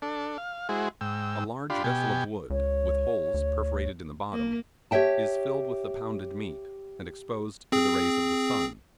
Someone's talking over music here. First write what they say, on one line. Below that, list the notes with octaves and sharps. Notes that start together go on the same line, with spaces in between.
A large vessel of wood, with holes perforated in the bottom, is filled with the pounded meat, and exposed to the rays of the sun.
D4 A4
F5
G#3 E4 F#4 G#4 C5
G#2 G5 E6
D4 F4 G4 B5 C6
B2 G4 G5 G#5
C#2 C#5
D2
A#3
G4 C#5 E5 G5 A5
C4 G#4